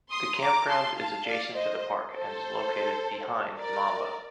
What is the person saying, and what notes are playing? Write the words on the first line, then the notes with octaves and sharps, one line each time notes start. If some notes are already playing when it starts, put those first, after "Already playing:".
The campground is adjacent to the park, and is located "behind" Mamba.
C6 D#6
A#5 D6
A5 C6
F5 A5
D5 F5
C5 D#5
A4 C5
A#4 D5